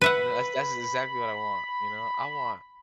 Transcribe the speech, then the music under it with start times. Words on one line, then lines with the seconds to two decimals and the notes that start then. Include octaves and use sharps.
You know, that's that's exactly what I want, you know, "I want
0.01 B4 E5 F#5 B5